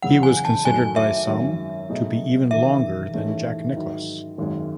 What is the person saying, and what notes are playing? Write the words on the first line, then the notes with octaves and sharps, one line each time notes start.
He was considered by some to be even longer than Jack Nicklaus.
F#1 E2 C#3 F#5
G#5
A5
F#1 F#2 D#3 F#3 A3 G#5
E5
G#1 F#2 D#3
B1 B2 A3 D#4 G#4
E1 D#2 D#3 E5
A1 G#2 D#3 A3 C#4
G#2 D#3 F#3
G#1 F#2 D#3 G#3